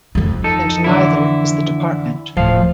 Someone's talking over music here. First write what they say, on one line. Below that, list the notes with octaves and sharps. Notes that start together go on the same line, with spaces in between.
And neither is the department.
F2 F3
D#4 A4
D3 E3 E4
D1 F3 F5